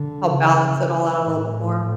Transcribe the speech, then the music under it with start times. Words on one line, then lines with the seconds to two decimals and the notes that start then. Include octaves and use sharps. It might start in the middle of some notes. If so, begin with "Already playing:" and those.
Help balance it all out a little bit more.
Already playing: D3
0.32 C#3
1.21 A2